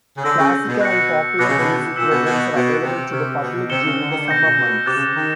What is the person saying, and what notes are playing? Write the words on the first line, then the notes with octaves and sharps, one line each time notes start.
Classical and popular music programs are available to the public during the summer months.
C#3
D3 E6 G6 A#6
C#3
B2
F#6 A#6 C#7
B2 D6 F#6 A#6 C#7
C#3
B2
A#2 E6 G6 B6 E7
B2
B2
B2 F#6 B6 D7
C3
C3 C#6 F6 G#6
B2
B2
C3 E6 G#6 C#7 E7 G7
C#3
D3
D#3
D3
B2 G6 A#6 C#7
A#2
B2
C3 D6 F#6 A6
C#3
D#3